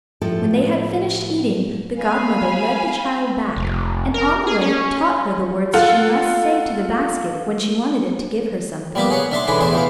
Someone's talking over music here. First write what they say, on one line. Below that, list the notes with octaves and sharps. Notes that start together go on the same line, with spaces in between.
When they had finished eating, the godmother led the child back, and on the way taught her the words she must say to the basket when she wanted it to give her something.
A2 F3 A4
F5 G#5 B5
F1
A#4
G#4
C#4
F4 A4 F5 F#5
G3 A#3 B3 B5 D6
G#4 C#5 F#5
D4 E5 A5 C6
D3 E3 D4 G#4 B5
A1 E2 G#4 C5 E5
E3 B3 F5